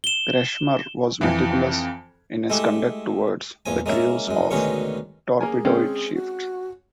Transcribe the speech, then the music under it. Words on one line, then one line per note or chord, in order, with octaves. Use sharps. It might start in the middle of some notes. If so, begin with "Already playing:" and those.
Kretschmer was meticulous in his conduct towards the crews of torpedoed ships.
E7 G7
F2 E3
G#3 A3 E4 G4
A#1 E2 F3 G#5
G#3 A#3 C#4 E4
F#2 G#3
D2 B2 D#3 G#3 C#4 C#6
A#3 G#4 A#4 G#5
G#3 C4 C#4
F#4